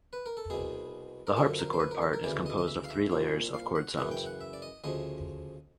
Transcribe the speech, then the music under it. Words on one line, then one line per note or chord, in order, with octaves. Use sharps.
The harpsichord part is composed of three layers of chord sounds.
B4
A#4
A4
C2 B2 G#4
A#4
F#2 D3 F3 A4
A#4
C5
B4
A#4
A4
A#4
D2 C#3 E3 D5
D#5
D#5
E5
F5
E5
C2 A#2 F3
F5
F#5
F#2 C#3 E3 F#5
G5
F#5
E5
D5
D#5
D2 C#3 F3 D#5